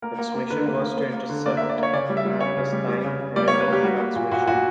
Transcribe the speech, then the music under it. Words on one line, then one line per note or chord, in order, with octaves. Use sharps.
Its mission was to intercept clandestine enemy transmissions.
A#3 A#4
A#3
A#3
D3 B4
A#3
A#3
A#3
A#3
D3
A#3 D5
E5
A#3
D5
A#3
C#5
C#3 D5
G3
E5
G3
C#3 C#5
C#3
G3
G3
C#3
C#3
G3 D5
C#5
A#3
B4
A#3 G4
G3 F#4
A#3
A#2
A#2 F#4
A#2 F#4